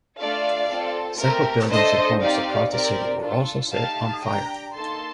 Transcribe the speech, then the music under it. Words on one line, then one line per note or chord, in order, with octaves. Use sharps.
Several buildings and homes across the city were also set on fire.
A3 D4 F4 A4 D5 F5
C4 F4 A4
A3 C4 G4 A#4
A3 D4 A4 C5 D#5
C4 D#4 G4 D5 F5
C4 G4 A#4 D5
D4 F4 A4
A3 D#4 G4 F5 A5
D4 G4 G5 A#5
A#3 D#4 A4 A5 C6